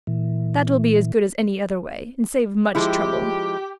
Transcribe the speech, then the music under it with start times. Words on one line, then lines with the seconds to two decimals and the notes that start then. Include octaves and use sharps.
That will be as good as any other way, and save much trouble.
0.07 A#2 E3
2.75 F3 G#3 E4 G4